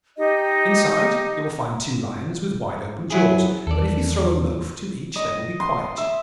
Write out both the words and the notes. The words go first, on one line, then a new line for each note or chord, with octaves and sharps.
Inside you will find two Lions with wide-open jaws, but if you throw a loaf to each they will be quiet.
D#4 G4 D#5
F#3 E4 G#4
E2 D#3 A4 D5
D#5
C6
E5